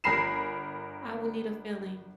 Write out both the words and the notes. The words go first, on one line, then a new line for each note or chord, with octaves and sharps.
I will need a filling.
G1 A#4 G#5 B5 C7 E7